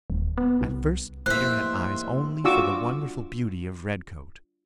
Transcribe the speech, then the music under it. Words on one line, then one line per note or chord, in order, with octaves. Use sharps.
At first Peter had eyes only for the wonderful beauty of Redcoat.
D#1
B3
C2
F1 A2 A#3 C5 E5 C6 F#6
D4 F4 F#4 C#6 D6 E6